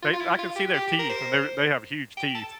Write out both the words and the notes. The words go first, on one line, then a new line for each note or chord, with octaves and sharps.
they I can see their teeth, and they're they have huge teeth.
F4
F4
E4
F4
G4
G4
A#4
C5
G5
A5